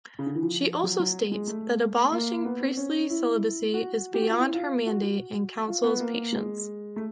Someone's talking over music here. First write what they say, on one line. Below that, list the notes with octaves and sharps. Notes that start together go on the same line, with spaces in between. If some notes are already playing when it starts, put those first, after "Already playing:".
She also states that abolishing priestly celibacy is beyond her mandate and counsels patience.
C#3
D3
E3
F3
F#3
F#3
G#3
A3
A#3
B3
C4
C#4
E4
F#4
G4
F#4
F4
E4
F4
F#4
F#4
F4
B3
A#3
G#3
A3